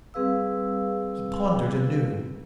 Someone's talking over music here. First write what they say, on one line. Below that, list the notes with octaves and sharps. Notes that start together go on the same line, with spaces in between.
He pondered anew.
G3 C4 G#4 B4 F5 E6